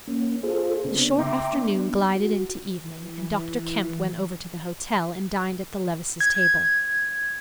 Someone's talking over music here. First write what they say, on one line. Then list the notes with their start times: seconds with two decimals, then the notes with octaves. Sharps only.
The short afternoon glided into evening, and Dr. Kemp went over to the hotel and dined at the Levices' table.
0.07 A#3 C#4
0.43 F4 G#4 A4 C5
0.84 C#3 B3 C4 D4
1.19 E5 G5 A#5 C6 D6
1.52 B3 D4
2.15 F#4
2.87 E3
6.20 G#6